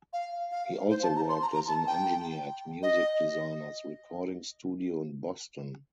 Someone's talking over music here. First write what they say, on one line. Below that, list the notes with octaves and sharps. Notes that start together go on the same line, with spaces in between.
He also worked as an engineer at Music Designers Recording Studio in Boston.
F5
F5
C5
A5
A#5
C6
A#5
A#5
A5
G5
D#5